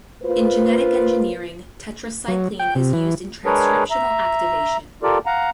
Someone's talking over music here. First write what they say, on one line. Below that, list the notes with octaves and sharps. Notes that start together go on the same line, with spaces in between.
In genetic engineering, tetracycline is used in transcriptional activation.
A#3 F4 B4 C5
F#3
G5
C3
E3
G#3 D4 G#4 A#4 B4 C#5
E5 A#5
F4 G4 A4 A#4 D5
F5 F#5 A#5